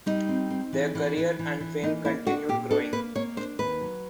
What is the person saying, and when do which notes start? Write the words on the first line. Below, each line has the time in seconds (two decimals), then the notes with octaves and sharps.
Their career and fame continued growing.
0.06 G3 D#4
0.29 C4
0.50 C4
0.73 E3
0.95 E3
1.17 E3
1.39 E3
1.60 E3
1.82 A#3 D#4
2.05 A#3 E4
2.27 D4 F#4
2.49 A#2 G4
2.71 D4 A4
2.93 A#3 B4
3.16 A#3 C#5
3.37 D4 C5
3.59 D#2 B4
3.81 F#3